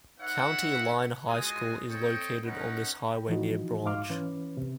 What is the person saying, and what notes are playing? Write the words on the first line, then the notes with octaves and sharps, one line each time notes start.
County Line High School is located on this highway near Branch.
D#4 B4 C#5 E5 F#5
G#3 F4 F#4 D#5 G#5 D#6
C4 A4 C#5 D#5 G5
C#4 D#4 A#4 B4 F#5 A#5
G5 B5
E3 F3 D#4 F#4
G#2 D#4 F5 C6 D6 F6
E3 C#4 B4
C3